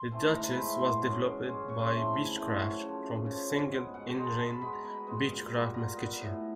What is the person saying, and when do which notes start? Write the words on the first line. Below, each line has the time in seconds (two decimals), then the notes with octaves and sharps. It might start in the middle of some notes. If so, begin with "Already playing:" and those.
The Duchess was developed by Beechcraft from the single-engined Beechcraft Musketeer.
Already playing: C6
0.11 E3 A3 C4
0.33 G#2 A#5
0.44 B5
0.56 E3 A3 C4 B5
0.68 C6
0.78 B2 C6
1.01 G#3 C#4
1.24 B2
1.46 G#3 C#4
1.68 C#3 C#6
1.80 C6
1.91 E3 A3 C4 C6
2.02 C6
2.13 C#3 B5
2.25 G#5
2.36 E3 A3 C4 G5
2.47 F#5
2.59 F#2 C#5
2.81 C#3 F3
3.04 F#2
3.26 C#3 F3
3.50 B2
3.72 G#3 B3
3.94 B2 F#5
4.09 G5
4.16 G#3 B3 A#5
4.25 A5
4.39 B2 A5
4.51 B5
4.61 G#3 B3 B5
4.73 A#5
4.84 B2 B5
5.07 G#3 B3
5.29 A#2
5.51 G3 B3
5.74 A#2 A#5
5.96 G3 B3
6.20 A2